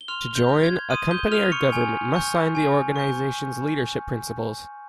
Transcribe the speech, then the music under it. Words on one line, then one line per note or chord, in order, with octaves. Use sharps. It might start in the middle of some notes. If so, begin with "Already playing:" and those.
To join, a company or government must sign the organization's leadership principles.
G7
C6 F6 F7
G6
F6
G#6
C6 D#6 D#7
G6 G7
F6 F7
C#6 C#7
G#5
C#6 G6
G#5
C#6 G6